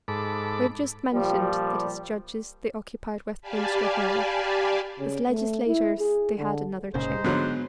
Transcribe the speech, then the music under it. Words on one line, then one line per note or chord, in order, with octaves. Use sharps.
We have just mentioned that as judges they occupied Westminster Hall; as legislators, they had another chamber.
G#2 A4 B5 D6
A#2 F3 G3
G4 D5 F5 G#5 A5 B5
C#3
A3
E4
G#4
D3
F1 A#2 C#3 G#3 D#4 C5
G#2 D3 F#3 B3